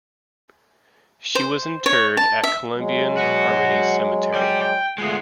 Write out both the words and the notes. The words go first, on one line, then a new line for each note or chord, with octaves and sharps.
She was interred at Columbian Harmony Cemetery.
C5
C#5
A5
E5
F#3 G#3
F#4 B4
D5 G5
G5
D3 G#3 A3 B3 F4